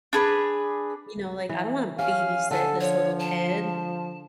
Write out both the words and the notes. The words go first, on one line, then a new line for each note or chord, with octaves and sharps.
you know, like, "I don't wanna babysit this little kid."
D4 G#4 B4
E3
C#4 G4 F5 G#5
D3 A4 G#5
F3 C#5
A5